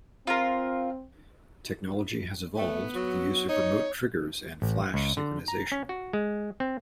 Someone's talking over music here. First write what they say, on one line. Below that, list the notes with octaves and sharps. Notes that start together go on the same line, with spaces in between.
Technology has evolved with the use of remote triggers and flash synchronization.
C4 F4 A#4
A3 B3
F#3
D#4 C#5
A1
C#2
D3
A#5
C#4
F#4
G#3
C4